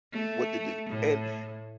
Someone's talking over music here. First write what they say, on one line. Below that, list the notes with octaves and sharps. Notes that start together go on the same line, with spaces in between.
what to do, and, b
A3
A2